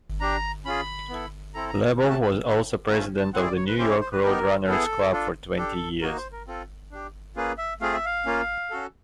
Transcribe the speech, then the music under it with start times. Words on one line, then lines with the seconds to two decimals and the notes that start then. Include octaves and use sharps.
Lebow was also president of the New York Road Runners Club for twenty years.
0.20 D4 G4 A#5
0.65 C#4 F4 G#4 B5
1.09 B3 E4 A4
1.54 C4 E4 A4 A#5
1.69 A#5
1.99 A3 C#4 F#4 A#5
2.10 A5
2.22 B5
2.44 A3 D4 F#4 A4
2.88 A3 C#4 F4 A#5
3.19 A5
3.33 C4 E4 G#4 F#5
3.45 D5
3.56 C#5
3.67 B4
3.78 C#4 E4 G4 C5
3.90 C#5
4.00 C5
4.12 B4
4.23 B3 D#4 G4 A#4
4.67 B3 E4 G#4 A4
5.12 D4 F4 A4
5.57 D4 G4 A4
6.01 A#3 D#4 F#4 A#4
6.17 C5
6.32 A#4
6.47 C4 F4 A4
6.91 D4 G4
7.36 A#3 C#4 F4 G#4 B4
7.58 E5
7.81 A3 C4 F4 G#4 F5
7.93 E5
8.06 F5
8.26 A#3 C#4 F4
8.71 C#4 F#4 A4